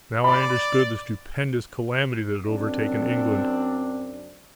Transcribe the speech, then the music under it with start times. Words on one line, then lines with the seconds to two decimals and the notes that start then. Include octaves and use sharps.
Now I understood the stupendous calamity that had overtaken England.
0.24 D5 B5
2.48 F#2 C4 D4